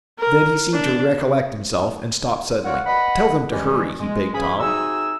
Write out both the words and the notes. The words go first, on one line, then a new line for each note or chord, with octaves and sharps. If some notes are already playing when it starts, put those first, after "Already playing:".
Then he seemed to recollect himself, and stopped suddenly. "Tell them to hurry," he begged Tom.
A#4
D4
F4 F#4 A#4 C#5 D5 F#5
B4 D#5 F#5 B5
D#3 E3 G3 G#3 C#4 G4
G#3
C#3 E3 C#4 G#4 G#5 B5
C3 D#4 F#4 G#4 G#5 E6